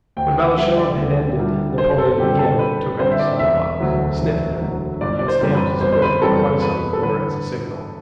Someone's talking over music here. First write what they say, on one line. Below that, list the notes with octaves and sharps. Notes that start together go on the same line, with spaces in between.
When Balashev had ended, Napoleon again took out his snuffbox, sniffed at it, and stamped his foot twice on the floor as a signal.
D2 G5
F#5
D3 G3 D4 E5
D5
D2
D3 G3 D4
F#2 C5
A4
D3 G3 C4 G4
A4
F#2 B4
D3 G3 C4 C5
E5
D5
E1 E5
D2 D3 F#3
E1
D2 D3 F#3
G1 D5
D5
C5
F#2 E3 G3 C4
B4
G1 C5
C5
B4
F#2 E3 G3 C4 A4
E2 B4
A4
D3 G3 B4